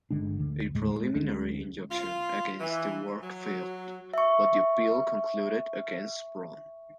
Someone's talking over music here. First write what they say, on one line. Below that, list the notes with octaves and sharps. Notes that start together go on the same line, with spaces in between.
A preliminary injunction against the work failed, but the appeal concluded against Braun.
G1 D3 G#3 D4
D2 D3
D#2 A2 G#3 A3
G#3
D2 G#3 C#4
F4
E3
F#3
E5 C#6